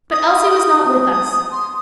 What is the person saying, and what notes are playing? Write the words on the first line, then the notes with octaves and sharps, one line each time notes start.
But Elsie was not with us.
D#6
D#6
C6